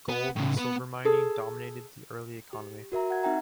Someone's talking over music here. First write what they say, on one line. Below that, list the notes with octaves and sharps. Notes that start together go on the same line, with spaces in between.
Gold and silver mining dominated the early economy.
B3
A2 C#3
B3 B4
G#4 A4
G4
F#4 A#4 E5 A#5
F#5 G#6
C4 D#4 E5 F#5 G5 A#5